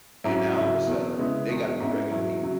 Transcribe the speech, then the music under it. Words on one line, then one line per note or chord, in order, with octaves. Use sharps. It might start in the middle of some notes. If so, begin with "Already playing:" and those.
and now, all of a sudden, they gotta be regular people,
G#2 F#3 C#4 E4
C#3 F#3 E4
E2 B2 B3
C#3 G#3 B3 E4
E2 B2 G#3
G#2 G#3 C#4 E4
E2 B2 F#3 E4
C#3 F#3 E4